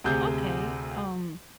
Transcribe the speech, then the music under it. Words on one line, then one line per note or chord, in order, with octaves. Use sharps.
Okay. Um,
D2 C3 G#4 G6